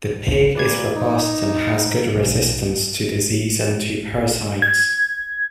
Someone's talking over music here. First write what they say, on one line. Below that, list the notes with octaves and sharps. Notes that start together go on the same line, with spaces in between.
The pig is robust and has good resistance to disease and to parasites.
A#2 B4 D5 G#6
D#4
B1
G#6